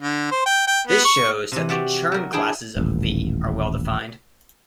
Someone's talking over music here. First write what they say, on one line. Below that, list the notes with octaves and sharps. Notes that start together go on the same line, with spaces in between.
This shows that the Chern classes of "V" are well-defined.
D3
C5
G5
G5
B3
C#6
C3 E3
F#4 G4 D5 E5 F#5
F#3 A#4
D4 E4 G#4 G5
D#1 A1